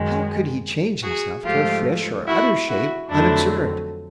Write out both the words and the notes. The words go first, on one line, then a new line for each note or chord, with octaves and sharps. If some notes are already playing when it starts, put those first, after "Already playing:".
How could he change himself to a fish or other shape, unobserved?
Already playing: F#2 D#3 G#3
F#4 G#4
G#2 F3 A3 F4 G4
E4 F#4
E4 F#4
F2 D3 F#3 A3 D4 E4